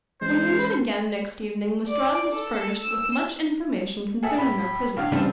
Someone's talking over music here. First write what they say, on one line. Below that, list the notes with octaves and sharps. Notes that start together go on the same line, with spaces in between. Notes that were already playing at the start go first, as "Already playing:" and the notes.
When we met again next evening, Lestrade was furnished with much information concerning our prisoner.
E3 G#3 C#4 C5
D5
A4
E6
G#4 A4 E5
A2 B5
A2 D3 F5
C#3 E3 G3 C4 D4